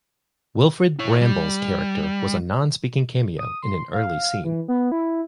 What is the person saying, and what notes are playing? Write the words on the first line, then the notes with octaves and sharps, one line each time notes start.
Wilfred Brambell's character was a non-speaking cameo in an early scene.
E4 C#5
G3
D#6
C6
F5
E3
B3
E4